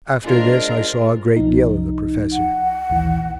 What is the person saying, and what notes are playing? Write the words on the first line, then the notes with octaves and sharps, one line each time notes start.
After this I saw a great deal of the professor.
G#3 D4 F4 A#4 C5
C2 F3 D#4
F#5
A#1 D#2 E3